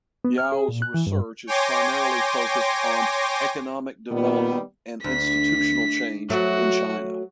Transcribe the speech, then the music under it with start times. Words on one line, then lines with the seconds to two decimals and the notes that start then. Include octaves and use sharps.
Yao’s research is primarily focused on economic development and institutional change in China.
0.25 B3
0.38 F6
0.52 G#4
0.69 A#2
0.82 F#6
0.94 E3
1.07 G2
1.47 C#5 G5 G#5 C6 D6 A#6
4.11 A#2 D#3 G3 B3
5.04 D2 B6
6.30 F#3 A3 F#4